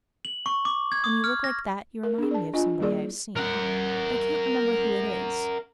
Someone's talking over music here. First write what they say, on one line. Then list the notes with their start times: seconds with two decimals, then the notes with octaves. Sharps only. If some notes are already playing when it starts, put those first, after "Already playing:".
When you look like that, you remind me of somebody I have seen, but I can't remember who it is.
0.25 F#7
0.46 C#6
0.65 D6
0.92 G#6
1.04 D#6
1.24 F6
1.44 A#6
2.03 A#4
2.18 D4 G#4
2.31 D5 A5
2.53 D4 F4 D#5 G#5
2.80 G3 A#3 E4 G#4 D5
3.36 A#4 F#5